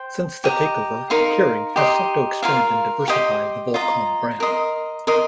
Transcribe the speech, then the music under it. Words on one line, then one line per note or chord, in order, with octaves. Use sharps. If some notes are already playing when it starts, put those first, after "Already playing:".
Since the takeover, Kering has sought to expand and diversify the Volcom brand.
Already playing: C5 G5
G4 D#5 A#5
D#4 A#4 F5 C6
D#4 G4 D#5 C6
F4 A#4 F5
G4 D#5 G5 C6
F4 D#5 A#5
A#4 D#5 C6
A#4 D#5 C6